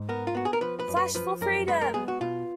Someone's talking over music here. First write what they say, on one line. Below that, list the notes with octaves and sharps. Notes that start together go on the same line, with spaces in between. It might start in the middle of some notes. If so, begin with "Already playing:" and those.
Flash For Freedom!
Already playing: G#2
B3 A#4
F4
B3 F#4
G#4
A#4
F3 B4
B4
F#2
B4
F3 B4
F#2 A#4
G#3 B4
A#4
B3 G#4
F#4
B2 F4